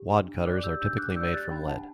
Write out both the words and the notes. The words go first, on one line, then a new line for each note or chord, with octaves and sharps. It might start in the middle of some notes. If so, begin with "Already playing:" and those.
Wadcutters are typically made from lead.
Already playing: G4
D4
D4
D5 D6 F#6
G4 E6 G6
D4 E6 G6
D4 D6 F#6
D5 E6 G6
G4 F#6 A6
D4 G5 B5
D4 F#5 A5